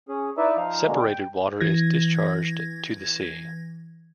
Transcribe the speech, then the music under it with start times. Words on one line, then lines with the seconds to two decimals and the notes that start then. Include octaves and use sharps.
Separated water is discharged to the sea.
0.09 C#4 G#4
0.38 D#4 E4 B4 D5 E5
0.57 F3 D#4 F5
0.86 B2 D3 G#3 A#3
1.00 G5
1.60 E3 G#6 A#6